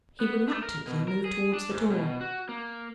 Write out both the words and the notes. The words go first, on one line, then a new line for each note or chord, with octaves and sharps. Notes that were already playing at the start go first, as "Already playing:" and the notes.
He reluctantly moved towards the door.
B3
A3
A#4
B2
A#4
G#4
D4
G#2
B2
F#4
A#3